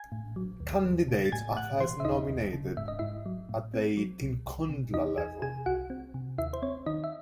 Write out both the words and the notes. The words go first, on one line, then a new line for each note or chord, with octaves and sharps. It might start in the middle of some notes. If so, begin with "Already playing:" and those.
Candidates are first nominated at the "tinkhundla" level.
Already playing: G#5 G#6
A2
F#3
D#2
D#2
C#3
A6
A2 G#5 G#6
A2 F#5 F#6
E3 C5 C6
E5
D#2 D#4 D#5
D#2
C#3
G#2 E5
D#5
G#2 E4 E5
F#3
A2
C4
F#3
C2
C2
C3
E2 D#4 D#5
E2 G#4 G#5
C3 G#4 G#5
C2 F#4 F#5
C4
C3
D#2 E4 E5
C5
C4 C#5
D#3 D#4 D#5
E5